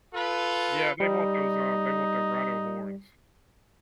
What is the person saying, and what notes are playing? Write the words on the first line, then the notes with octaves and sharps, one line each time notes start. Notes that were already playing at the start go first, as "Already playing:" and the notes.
Yeah, they want those, um, they want the rhino horns.
F4 A4 B4
G3 D#4